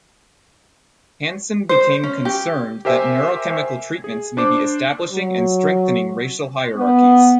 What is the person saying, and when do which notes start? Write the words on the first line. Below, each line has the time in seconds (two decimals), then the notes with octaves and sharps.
Hansen became concerned that neurochemical treatments may be establishing and strengthening racial hierarchies.
1.69 C5
2.04 C#4
2.25 G4
2.85 G4 A#4 C5 E5 G#5
4.04 G#4
4.37 D4 C5 D6
5.12 F#3
6.76 B3